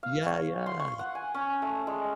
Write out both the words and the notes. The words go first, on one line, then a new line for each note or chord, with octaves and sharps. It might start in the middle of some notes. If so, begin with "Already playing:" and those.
Yeah, yeah.
F5
C#5
C6
C#6
F#5
G#5
C#4
A3
G#3